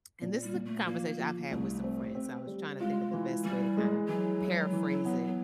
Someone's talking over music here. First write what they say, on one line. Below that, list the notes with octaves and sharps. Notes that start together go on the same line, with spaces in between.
And this is a conversation I've had with some friends, I was tryna think of the best way to kinda paraphrase it.
A#2
G3
A#2
A3
F3 A#3
F3
C2 A3
C4
C4
G3
G#3 F4
E3
E3 G3
G#3
E3 F#3
E4
E3
B3